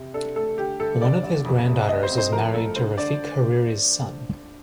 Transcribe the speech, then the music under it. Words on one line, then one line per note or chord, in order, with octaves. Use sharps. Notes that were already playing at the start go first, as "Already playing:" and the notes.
One of his granddaughters is married to Rafik Hariri's son.
Already playing: C3
D4 A4
A3 A4
D3 G4
G1 A4
G2 D5
A1
F2
C3
D2 D#5
C5
C4
C5
F3 A#4
A2 A4
G2 C5
D3 D5